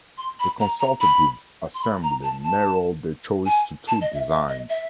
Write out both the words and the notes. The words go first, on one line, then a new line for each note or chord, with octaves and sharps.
The Consultative Assembly narrowed their choice to two designs.
C6
B5
A#5
A#5
B5
C6
B5
A#5
A5
A5
G#5
A5
D#5
E5
E5
D#5
E5